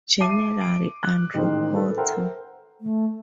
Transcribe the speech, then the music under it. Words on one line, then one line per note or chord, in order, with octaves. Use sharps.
General Andrew Porter.
E5 A5 D6 C7 D#7
D7
F#6
A1 D#3 G#3 C5
A4 B4
A4 A#4 C5 E5 F#5 G5
A3